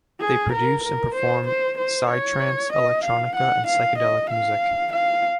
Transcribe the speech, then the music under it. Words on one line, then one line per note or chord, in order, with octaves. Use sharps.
They produce and perform psytrance, electronica, and psychedelic music.
G#4
A#4
A#4
C5
C5
C5
C#5
D#5
F5
F#5
F5
D#5
F5
F5